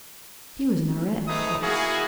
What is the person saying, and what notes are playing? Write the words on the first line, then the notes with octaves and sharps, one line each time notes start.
She was an Aurette, of course.
A3 D#4 G#4 B4 D#6
A#3 E4 F#4 G#4